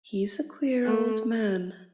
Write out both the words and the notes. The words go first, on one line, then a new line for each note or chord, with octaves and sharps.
He's a queer old man.
A3